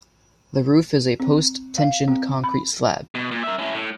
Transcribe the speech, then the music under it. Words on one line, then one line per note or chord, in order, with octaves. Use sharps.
The roof is a post-tensioned concrete slab.
C4
F5
C4
B5
B2
A#2
A#4 E5
C#4 E4
A2